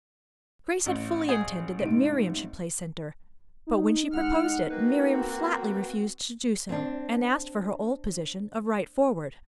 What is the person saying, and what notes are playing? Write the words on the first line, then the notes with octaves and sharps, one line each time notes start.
Grace had fully intended that Miriam should play center, but when she proposed it, Miriam flatly refused to do so, and asked for her old position of right forward.
A1
G#4
G#2 C3 D7
D#4
G#3 F#5 F6
A#3 C4 F#4 B4
C4 D4